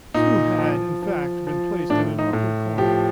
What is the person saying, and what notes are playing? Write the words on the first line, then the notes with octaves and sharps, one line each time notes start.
Sue had, in fact, been placed in an awkward corner.
A#2 D#4
F3
F3
F3
A2 D4
D#4
A2
F3 G4